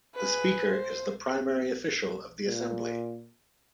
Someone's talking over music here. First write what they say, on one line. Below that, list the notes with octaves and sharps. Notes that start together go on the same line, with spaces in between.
The Speaker is the primary official of the Assembly.
G#4 B4
C5
A#2